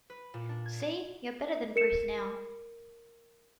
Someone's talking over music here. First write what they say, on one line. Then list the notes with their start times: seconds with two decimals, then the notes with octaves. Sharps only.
See! You’re better than Bruce now.
0.10 B4
0.34 A#2
0.49 D4
0.66 G#6
1.76 A#4 C#7 E7